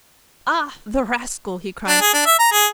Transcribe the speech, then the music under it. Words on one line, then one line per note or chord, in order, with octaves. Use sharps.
"Ah, the rascal!" he cried.
D4
G#4
D4
E5
A#5
G#4